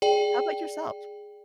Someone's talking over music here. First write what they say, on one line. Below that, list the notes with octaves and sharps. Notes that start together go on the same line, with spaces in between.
How about yourself?
G#4 D5 G5